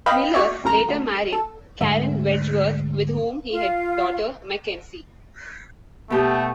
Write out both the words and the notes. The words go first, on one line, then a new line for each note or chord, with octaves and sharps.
Miller later married Karen Wedgeworth, with whom he had daughter McKensie.
B4 D#5 F5 G5 B5
F#4 C#5 D5 E5
A1 F#2 A#4 A#5
D2
A4
D2 G#2 E5
F4 F5
B2 A3 B3 G4 D#6